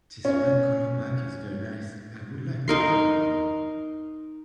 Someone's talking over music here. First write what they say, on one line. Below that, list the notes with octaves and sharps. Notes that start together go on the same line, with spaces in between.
This red color bike is very nice, I would like to have one.
C#4
D#4 A#4 C6